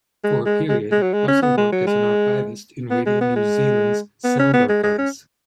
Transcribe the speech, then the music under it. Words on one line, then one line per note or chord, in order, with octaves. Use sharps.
For a period Russell worked as an archivist in Radio New Zealand's Sound Archives.
G#3
G#3
G#3
G#3
F#3
G#3
C#4
B3
G#3
F#3
G#3
B3
G#3
B3
G#3
B3
C#4
B3
G#3
G#3
C#4